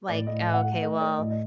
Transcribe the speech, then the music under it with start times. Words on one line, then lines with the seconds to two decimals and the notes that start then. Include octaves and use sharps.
like, oh, okay, well,
0.08 A2 D5
0.27 A2 D#5
0.45 A2
0.54 F#5
0.63 A3
0.81 A3 D#5
1.00 A3 D5
1.18 A2 D#5
1.30 D#5